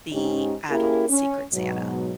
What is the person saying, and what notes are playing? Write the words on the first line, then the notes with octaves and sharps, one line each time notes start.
the adult Secret Santa.
G#2 G#3 C#4 D#4 G4
A#3 C#4 E4 G4 G#4 A#4
C#4
G#2 B2 F#3